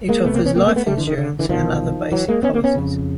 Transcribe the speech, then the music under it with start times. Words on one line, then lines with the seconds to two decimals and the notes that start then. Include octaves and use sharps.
It offers life insurance and other basic policies.
0.09 G#3 A#3
0.24 C#2 C3 A3 B3
0.34 A#3 C4
0.46 B3 C#4
0.55 A#3 C4
0.66 A#3 C4
0.76 A3 B3
0.86 G3 A3
0.97 D3 E3
1.07 D#3
1.18 D3
1.39 D3 E3
1.49 C2 B2 D#3 F3
2.12 E3 F#3
2.28 G#3 A#3
2.43 B3 C#4
2.53 A#3 C4
2.64 B3 C#4
2.75 F2 C#3